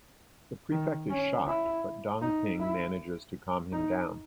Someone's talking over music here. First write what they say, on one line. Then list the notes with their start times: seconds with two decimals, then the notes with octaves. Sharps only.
The prefect is shocked but Dong Ping manages to calm him down.
0.72 D#3
1.10 C#4
1.47 E4
2.22 D#4
2.60 E4
3.72 D#4